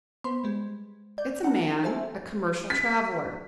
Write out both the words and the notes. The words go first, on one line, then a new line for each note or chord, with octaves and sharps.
It's a man--a commercial traveler.
B3 C5 B5 C6
G3 G#3
D5 G6
C#4 F#5 A5 A#5
A4 C5 E5 G#5
B6